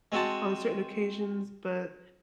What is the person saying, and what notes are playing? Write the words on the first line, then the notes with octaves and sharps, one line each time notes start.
on certain occasions, but
G#3 C4 F#4 A5